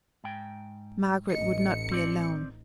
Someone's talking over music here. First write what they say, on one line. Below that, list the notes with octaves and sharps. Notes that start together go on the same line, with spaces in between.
Margaret would not be alone.
G#2 G5
A1 D#4 C#7
C4 D5